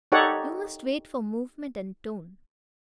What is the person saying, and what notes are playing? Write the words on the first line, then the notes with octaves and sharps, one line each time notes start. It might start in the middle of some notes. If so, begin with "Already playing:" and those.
You must wait for movement and tone.
D#4 G4 A4 C#5 D5 F#5